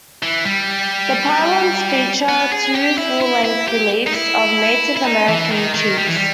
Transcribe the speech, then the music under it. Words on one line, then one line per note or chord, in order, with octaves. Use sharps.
The pylons feature two full-length reliefs of Native American chiefs.
E3
G3
B3
G#4
G4
E4
E4
E4
G4
D#4
E4
E4
D#4
E3
D#3
D#3
G3
E3
G3